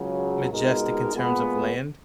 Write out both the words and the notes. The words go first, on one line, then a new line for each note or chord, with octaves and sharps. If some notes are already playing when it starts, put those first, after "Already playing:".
majestic in terms of land?
Already playing: C#2 C#3 F#3
C#2 B2 G#3 D#4 A#4
A#2 G#3 B3